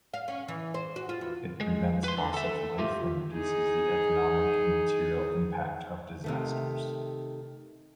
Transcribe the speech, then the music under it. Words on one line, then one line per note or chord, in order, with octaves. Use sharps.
It prevents loss of life and reduces the economic and material impact of disasters.
F5
C#4
E3
C5
F#4
F4
E2
G#3
B4 C6
D3
A4 E5
F4 G4
D#4 G#4
C3 D#3 A3